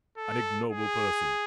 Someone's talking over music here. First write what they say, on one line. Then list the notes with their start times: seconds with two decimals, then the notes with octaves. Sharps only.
An ignoble person!
0.18 A4
0.70 G#4